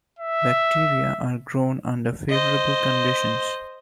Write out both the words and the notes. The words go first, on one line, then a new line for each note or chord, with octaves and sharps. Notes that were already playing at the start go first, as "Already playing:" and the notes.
Bacteria are grown under favourable conditions.
E5
C5 D#5